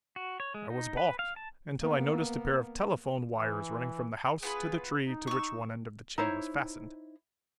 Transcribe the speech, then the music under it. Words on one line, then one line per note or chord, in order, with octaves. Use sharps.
I was balked, until I noticed a pair of telephone wires running from the house to the tree to which one end of the chain was fastened.
F#4
C#5
G#3
D#4
B4
F5
A5
A#3 B3
E3
B3 F4 G#4 B4
D#4
C#6 E6
D#4 E4 C5 C#5